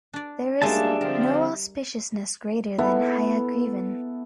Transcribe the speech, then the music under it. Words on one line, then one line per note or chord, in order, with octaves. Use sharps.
There is no auspiciousness greater than Hayagrivan.
D4 D5
B1 G3 G#3 A#3 D4 G#4 E5 A5
D3 F3 C4 A#4
B3 E4 A4 C#6